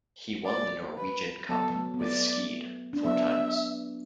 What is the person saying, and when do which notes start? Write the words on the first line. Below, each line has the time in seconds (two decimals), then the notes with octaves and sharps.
He won the Norwegian cup with Skeid four times.
0.45 D5
0.98 B4
1.49 F#3 B3 A4
1.70 F#3
1.75 A3
1.94 B3
2.01 A3 D5
2.93 D4
3.05 F#3 B3 E5